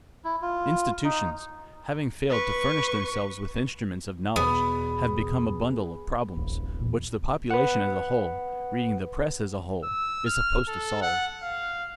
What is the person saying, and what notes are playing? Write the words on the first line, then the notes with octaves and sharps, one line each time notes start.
Institutions, having failed to furnish themselves with instruments of knowledge, have become a bundle of "problems," which the population as a whole, reading the press as a whole, is supposed to solve.
E4
F4
D#4
B4 C#6
E2 B2 B3 G#4
D1 A1
E2 A#2
B4 F#5
E6
F6
A4
F#5
F5